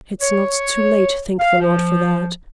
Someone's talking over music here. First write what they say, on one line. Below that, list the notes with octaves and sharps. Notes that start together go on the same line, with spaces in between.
It's not too late, thank the Lord for that!
C#5
F5
F3